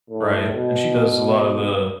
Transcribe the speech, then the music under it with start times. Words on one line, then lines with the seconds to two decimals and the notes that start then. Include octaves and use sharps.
Right. And she does a lot of the
0.10 A2
0.53 B2